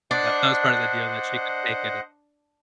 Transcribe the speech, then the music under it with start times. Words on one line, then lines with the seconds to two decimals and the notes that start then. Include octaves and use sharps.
So that that was part of the deal that she could take it and
0.11 D4 C5 D#5 F#5